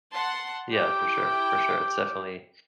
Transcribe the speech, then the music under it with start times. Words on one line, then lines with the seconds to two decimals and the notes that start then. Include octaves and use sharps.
Yeah, for sure, for sure. It's definitely
0.13 F#5 A5 C6
0.71 E4 G4 G5